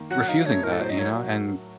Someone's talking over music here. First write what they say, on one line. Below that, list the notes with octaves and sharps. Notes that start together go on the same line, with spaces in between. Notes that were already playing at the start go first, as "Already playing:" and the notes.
refusing that, you know, and
Already playing: D#3 A#3
F#3 F#5
D#4 F5
A3 C#5
A2 A#4
A4
F#3 C5
D#5
A#4 C#5
F#4